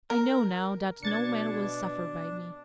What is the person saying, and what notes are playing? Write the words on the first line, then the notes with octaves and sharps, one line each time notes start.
'I know now that no man will suffer by me.
A#4
B2 D4 G#6 A6 C#7